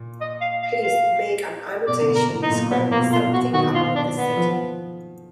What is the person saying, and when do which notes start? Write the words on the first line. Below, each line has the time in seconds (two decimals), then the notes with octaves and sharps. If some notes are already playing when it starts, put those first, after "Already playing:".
Please make an annotation describing something about the setting.
Already playing: A#2
0.21 D#5
0.41 F5
0.63 F5
0.83 F5
1.87 B2 D5
2.01 D3
2.08 B2
2.15 A#4
2.30 B2
2.43 D#4
2.50 A#2
2.71 B2 B3
2.90 A#2 A#3
2.99 B2
3.12 F4
3.26 B2
3.33 F#4
3.53 D#3 F#4
3.75 F4
3.95 D4
4.17 B3
4.37 F3